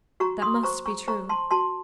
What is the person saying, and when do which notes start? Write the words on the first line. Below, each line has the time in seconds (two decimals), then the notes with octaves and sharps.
That must be true.
0.20 F#4 A#5 C#6
0.42 C6 D#6
0.63 C5 A#5 C#6
0.86 A#5 C#6
1.08 C5 A#5 C#6
1.29 A5 C6
1.51 F#4 A5 C6